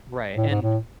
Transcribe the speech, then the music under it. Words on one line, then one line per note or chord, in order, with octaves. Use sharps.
Right, and,
A2
G#2
A2